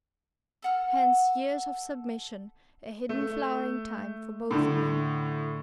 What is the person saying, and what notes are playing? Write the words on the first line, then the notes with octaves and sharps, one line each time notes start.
Hence years of submission, a hidden flowering time for both of them.
A4 F#5 F6
A3
A2 D3